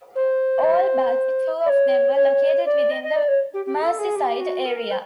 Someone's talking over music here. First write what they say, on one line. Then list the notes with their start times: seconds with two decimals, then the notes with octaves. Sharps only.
All but two of them were located within the Merseyside area.
0.15 C5
1.65 D5
1.69 C#5
2.15 C#5
2.65 D5
2.90 D#5
3.03 D#5
3.16 D5
3.28 C#5
3.53 G4
3.65 G4
3.82 A4
3.98 G#4
4.15 G4
4.40 F#4
4.65 A#4
4.90 C5